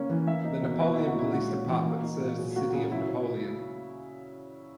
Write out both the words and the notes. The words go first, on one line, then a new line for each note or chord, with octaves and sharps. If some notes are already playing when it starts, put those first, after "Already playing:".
The Napoleon Police Department serves the City of Napoleon.
Already playing: C#3 A#3 C#4
E3
A#3 E5
D#4
B2
A#3 F#4
D#4 E4
F#4
A#2 E4
G#3 F#4
C#4
E3
A#3
D#4
A#2
F#3 G#4
A#3 F#4
F#4
C#3 G#4
F#3 E4
C#4